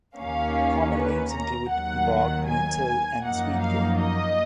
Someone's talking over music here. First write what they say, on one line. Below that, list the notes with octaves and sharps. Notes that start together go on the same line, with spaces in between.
Common names include bog-myrtle and sweetgale.
D#2 D#3 A#3 C#4 F5
B4
A#5
D#2 D#3 F#3 F#5
G#5
F#2 F3 A#3 D#4 F#5
F5
D#5